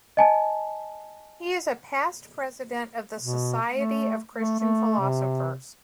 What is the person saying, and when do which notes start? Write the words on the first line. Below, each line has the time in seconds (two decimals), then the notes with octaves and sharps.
He is a past president of the Society of Christian Philosophers.
0.17 D#5 G#5 A5
3.20 B2
3.72 A3
4.36 A3
4.59 A3
5.00 C3